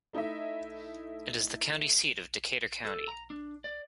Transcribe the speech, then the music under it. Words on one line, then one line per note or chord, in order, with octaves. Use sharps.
It is the county seat of Decatur County.
A3 D#4 E4 D#5 E5
A4
A#5
D4
D5